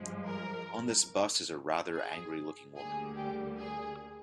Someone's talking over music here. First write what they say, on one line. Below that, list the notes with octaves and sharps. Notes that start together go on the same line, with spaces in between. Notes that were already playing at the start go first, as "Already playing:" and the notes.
On this bus is a rather angry looking woman.
Already playing: G2 F3 G#3
A#4
G#4
D2 D3 G3 A#3 G#4
G4
G#4